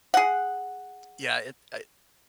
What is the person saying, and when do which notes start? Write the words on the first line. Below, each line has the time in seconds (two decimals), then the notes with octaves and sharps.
Yeah, it I uh,
0.14 G#4 F#5